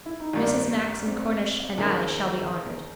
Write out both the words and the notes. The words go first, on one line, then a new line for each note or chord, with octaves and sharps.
Mrs. Max and Cornish and I shall be honored.'
E4
D#4
A1 G2 D#3 G3 D4
C4
D#2 D#3 G#3 C#4